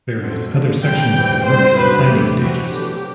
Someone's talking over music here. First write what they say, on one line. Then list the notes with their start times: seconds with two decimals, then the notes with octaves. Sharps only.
Various other sections of the route are planning stages.
0.21 D3 F#3 A3 C4
0.53 D3 A3 D4
0.84 D3 G3 C4 G5
1.15 E3 G3 C4
1.46 D3 G3 C4 C5
1.77 F#3 B3 D4 B4
2.08 F#3 A3 D4 G4
2.40 E3 A3 C4 F#4
2.70 D3 F#3 B3 D4 G4